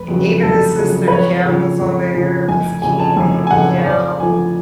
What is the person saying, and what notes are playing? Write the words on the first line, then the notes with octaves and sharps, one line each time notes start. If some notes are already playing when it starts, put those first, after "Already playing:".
E even the sister Kim was on there. It was Keenen, Kim,
Already playing: F1 B4
F2 C#3 F#3
F1 A4
F2 C#3 F#3
B4
F2 C#5
C#3 F3
F2
C#3 F3
F1 G#5
F2 C#3 G#5
A5
F1 G#5
G#5
F2 C#3 F#5
C#5
F2 D5
D3 F3 G#5